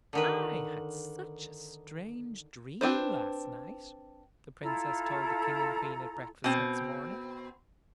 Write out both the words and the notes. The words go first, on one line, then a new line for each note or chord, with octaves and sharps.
"I had such a strange dream last night," the Princess told the King and Queen at breakfast next morning.
D3 D#3 B4
C4 D4 B4 C5
E4 F4 A4 A#5
B2 C4